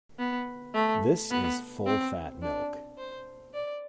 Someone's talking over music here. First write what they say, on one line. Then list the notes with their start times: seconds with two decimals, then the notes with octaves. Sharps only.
This is full-fat milk.
0.19 B3
0.75 A3
1.31 B3
1.87 C4
2.42 D4
2.98 C5
3.54 D5